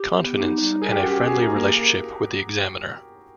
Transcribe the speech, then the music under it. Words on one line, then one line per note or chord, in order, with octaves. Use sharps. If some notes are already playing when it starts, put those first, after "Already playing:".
Confidence and a friendly relationship with the examiner.
Already playing: G4
B3
D#4
G3
G#4 A#4
G4
F#4
C#4
G4
F#4 G#4
A#4
A#3
A#4